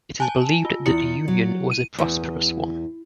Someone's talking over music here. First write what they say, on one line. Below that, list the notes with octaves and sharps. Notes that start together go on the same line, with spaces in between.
It is believed that the union was a prosperous one.
G#5 A5
F4
E2 E4 C#7
F#3
D#7
E2